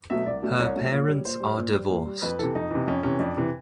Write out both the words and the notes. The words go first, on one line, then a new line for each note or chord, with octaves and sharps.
Her parents are divorced.
B2 F#3 A3 E5
C2 D5
B2 F#3 A3
C2 C#5
B2 F#3 A3
A#2 C#5
G3
A#2 C5
G3
A#2
G3
A#2
G3
F2 B4
C3 E3 A4
F2 D#4
C3 E3
F2 C#4
C3 E3 C#4
F2 D4
C3 E3